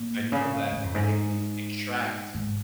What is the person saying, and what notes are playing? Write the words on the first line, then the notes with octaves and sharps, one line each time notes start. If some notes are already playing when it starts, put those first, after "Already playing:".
I know that they extract,
Already playing: A#2
C#3
G#2
F2
G#2
G#2